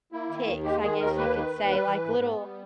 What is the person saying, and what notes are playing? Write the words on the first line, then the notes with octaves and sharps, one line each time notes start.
ticks, I guess you could say, like, little
A#3 E4
D#3
D#2
G#3 G4
D#3 G#4
D#2 A#4
A#3 B4
D#3
D#2
G3
E3
G#2
B3
G3